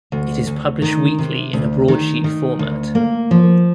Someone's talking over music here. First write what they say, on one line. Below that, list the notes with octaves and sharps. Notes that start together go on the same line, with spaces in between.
It is published weekly in a broadsheet format.
D2
D2
D#3
C3
D2
D#3
D#3
D2
A#3
F3